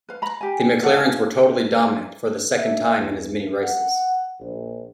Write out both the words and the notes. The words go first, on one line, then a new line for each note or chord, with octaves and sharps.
The McLarens were totally dominant, for the second time in as many races.
B4 F5
A#5 B5
G4 G#5
D4 A4 D5 F#5
A4 F5
E5
E2
F#5
A#1